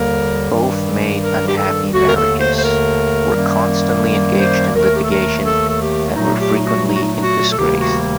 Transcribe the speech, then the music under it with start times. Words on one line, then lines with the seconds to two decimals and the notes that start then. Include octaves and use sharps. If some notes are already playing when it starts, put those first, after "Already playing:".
Both made unhappy marriages, were constantly engaged in litigation, and were frequently in disgrace.
Already playing: D#2 D3 G3 A#3 A#4
0.51 G2 D#3 G3
1.22 A#4
1.47 G4
1.57 A4
1.92 D#2 D3 A3 F#4
2.07 A#4
2.16 A4
2.39 C5
2.56 C5
2.63 A#4
3.34 F#2 D#3 G3 A#3
4.39 C5
4.74 D#2 D#3 A3 A#4
4.95 G4
5.02 A4
5.10 A#4
5.44 A4
5.69 A4
5.80 G4
6.15 A#2 F#3 A3 D#4
6.39 G4
6.54 D#4
6.63 F#4
6.87 D#4
6.94 F#4
7.01 D#4
7.15 D#4
7.21 F#4
7.50 A4
7.56 D2 C3 D#3 G3 A#3 G4
7.80 F#4